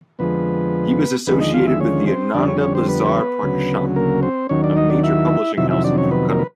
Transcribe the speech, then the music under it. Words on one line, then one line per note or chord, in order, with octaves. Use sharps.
He was associated with the Ananda Bazar Prakashana, a major publishing house in Calcutta.
F2 D3 F3 G#3 B3 B4
D#2 D3 F3 G#3 B3 B4
D#4 D#5
F4 F5
E4 E5
C#4 C#5
C4 C5
F2 D3 G3 D4 D5
C#4 C#5
C#4 C#5
C4 C5
B3 B4
D2 C#3 F#3
A#3 A#4
C4 C5
D#2 D#3 F#3 C#4 C#5
D4 D5
D#4 D#5
D4 D5
E4 E5
F2 C3 D#3 F#3 E4 E5
E4 E5
D4 D5
C#4 C#5
B3 B4
A#3 A#4
B4